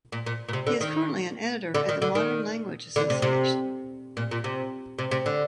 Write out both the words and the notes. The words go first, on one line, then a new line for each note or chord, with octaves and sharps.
He is currently an editor at the Modern Language Association.
A#2
A#2
A#2
C3
D3
D#3
D3
D#3
D3
D#3
D3
C3
C3
A#2
A#2
C3
C3
C3
D3